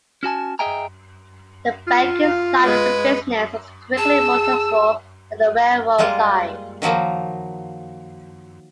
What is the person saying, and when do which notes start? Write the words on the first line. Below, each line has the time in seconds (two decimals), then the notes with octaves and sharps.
The banking side of the business was quickly more successful than the railroad side.
0.23 C#4 F#4 G#5 A5
0.59 G#4 D#5 E5 G5 G#5 A#5
1.87 F4
2.21 F5
2.64 G#3 B4
3.98 G#4 A5 E6
5.98 G3 G#3 A#3 F4
6.82 D#3 F3 F#3 A#3 D#4